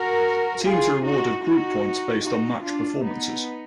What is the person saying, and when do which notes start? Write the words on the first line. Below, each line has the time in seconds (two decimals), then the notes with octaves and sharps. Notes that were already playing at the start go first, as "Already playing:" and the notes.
Teams are awarded group points based on match performances.
Already playing: F#4 A#4
0.64 F4 G#4
1.04 D#4 F#4
1.44 D#4 F#4
2.24 D#4 F#4
2.64 D4 F4
3.03 B3 D#4